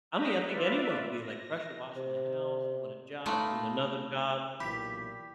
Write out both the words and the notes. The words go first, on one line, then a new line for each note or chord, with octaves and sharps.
I mean I think anyone will be like, pressure washing the house, doing a job, doing another job.
A#5 D#6 F#6 G6 B6
F4 B4 D5 E5
A#6
C3
A3 A#3 D#4 F4 A#4 B4
B1 A#2 E3 G4 B5 B6